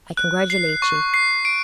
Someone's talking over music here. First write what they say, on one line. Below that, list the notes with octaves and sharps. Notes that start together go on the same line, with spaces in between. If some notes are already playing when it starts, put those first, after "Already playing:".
I congratulate ye.
F#6
C7
C#6
C7
D7